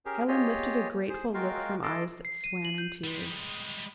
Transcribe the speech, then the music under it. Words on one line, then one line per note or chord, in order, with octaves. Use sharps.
Helen lifted a grateful look from eyes that swam in tears.
C#4 G4 G#4 A#4
F4 G4 G#4 C#5 D#5
G#4 C5
G#3 F4 F#4 A#4 F5 G5
A4 D#5 A5 C6 D6
C7
D#7
F#7
G6
G3 G#3